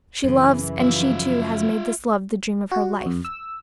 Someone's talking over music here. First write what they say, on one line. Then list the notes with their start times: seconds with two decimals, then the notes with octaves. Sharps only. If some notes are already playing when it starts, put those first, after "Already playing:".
She loves, and she, too, has made this love the dream of her life.
0.24 F#2 C#3 E3
0.80 F3 F#3 F4 E5
2.71 F#4
3.06 F2
3.25 E6